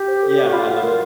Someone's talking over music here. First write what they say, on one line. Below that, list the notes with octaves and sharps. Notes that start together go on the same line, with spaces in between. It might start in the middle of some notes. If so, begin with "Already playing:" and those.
yeah, I loved it.
Already playing: G4
C5
A4
D5
F#4
F4 B5
F#5
A#4